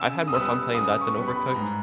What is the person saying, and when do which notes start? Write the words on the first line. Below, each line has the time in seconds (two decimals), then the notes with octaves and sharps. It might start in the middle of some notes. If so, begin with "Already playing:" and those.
I've had more fun playing that than Overcooked,
Already playing: C#3 E6
0.28 D#6
0.34 G3 B3 E6
0.74 C#3 D#6
1.01 C#6
1.15 G3 B3
1.28 B5
1.54 G#2 A#5